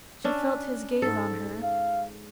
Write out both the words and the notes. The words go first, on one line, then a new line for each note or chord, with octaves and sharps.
She felt his gaze on her.
C#4 D4 E5
G#2 A4
F5